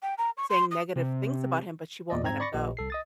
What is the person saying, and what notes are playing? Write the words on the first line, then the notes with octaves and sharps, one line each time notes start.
saying negative things about him, but she won't let him go.
G5
A#5
C#6
C6
D#6
C3
E2 A#2 D5 D#5
G#2 C4 A#5 G#6
D5 B5 C#6 A6 A#6 C#7
A#1 A#2 G4 B4 D#5
C2 A4 C7
D#5 D#6 A6